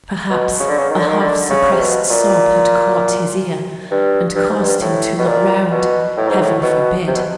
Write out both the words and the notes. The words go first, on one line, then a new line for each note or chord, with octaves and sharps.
Perhaps a half-suppressed sob had caught his ear, and caused him to look round--heaven forbid!
B2
C#3
D3
C#3
D#3
D3
D#3
D3
C#3
C3
B2
A#2
G2
G2
G#2
G2
A2
B2
A#2
B2
A2
G#2
A2
B2
C3
B2